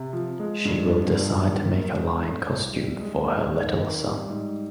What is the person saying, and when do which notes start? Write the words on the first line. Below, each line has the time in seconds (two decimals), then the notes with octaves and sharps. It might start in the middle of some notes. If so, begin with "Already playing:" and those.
She will decide to make a lion costume for her little son.
Already playing: C3
0.13 F3
0.39 G#3
0.65 G2
0.91 F3
1.17 G2
1.43 D#2
1.69 A#3
1.96 G#3
2.22 D3
2.48 C2
2.74 G3
3.00 G#3
3.26 D#2
3.52 D#3
3.78 D#3
4.04 G3
4.30 G#2